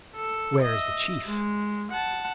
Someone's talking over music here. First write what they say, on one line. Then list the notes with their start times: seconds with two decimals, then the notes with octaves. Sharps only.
"Where is the chief?"
0.16 A4
0.62 D#5 E5
1.27 G#3
1.91 F#5 A5